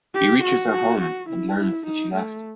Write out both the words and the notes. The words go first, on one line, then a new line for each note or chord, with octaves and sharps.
He reaches her home, and learns that she left.
G4
F#4
F#4
F#4
E4
E4
D#4
A3